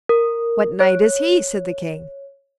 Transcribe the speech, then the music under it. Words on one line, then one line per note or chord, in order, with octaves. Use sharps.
What knight is he? said the king.
A#4
C#5